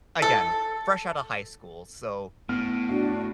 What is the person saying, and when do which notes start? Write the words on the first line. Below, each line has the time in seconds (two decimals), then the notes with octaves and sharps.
again, fresh out of high school. So,
0.22 A4
2.49 A2 B3 F6
2.89 D4 F#4